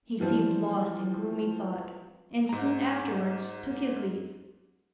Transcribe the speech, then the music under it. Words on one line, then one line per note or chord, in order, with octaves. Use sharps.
He seemed lost in gloomy thought, and soon afterwards took his leave.
E3 F3 G3 C4
G#2 A#5